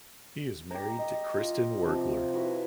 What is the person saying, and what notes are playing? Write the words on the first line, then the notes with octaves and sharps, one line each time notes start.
He is married to Kristin Wurgler.
G4 A#5
D#5
F4
C3 F3
E4 F#4 B4